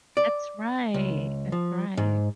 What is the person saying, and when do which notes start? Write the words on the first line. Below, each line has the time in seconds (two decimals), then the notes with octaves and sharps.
That's right, that's right.
0.17 D5
0.94 C#2
1.52 F3
1.97 G#2